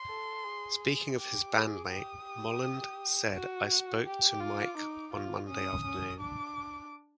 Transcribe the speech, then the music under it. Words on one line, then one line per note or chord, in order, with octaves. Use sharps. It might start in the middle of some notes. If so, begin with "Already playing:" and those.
Speaking of his bandmate, Molland said I spoke to Mike on Monday afternoon.
Already playing: C6
A4
G#4
G4 D6
G#4
G4 D#6
G4
F#4
G4 D6
F4
D#4
F4
C#4 D#6
C#4
D4 D6